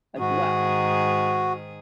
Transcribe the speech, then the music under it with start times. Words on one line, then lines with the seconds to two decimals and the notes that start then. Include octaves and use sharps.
as well.
0.19 G#2 D#3 F#4 G#4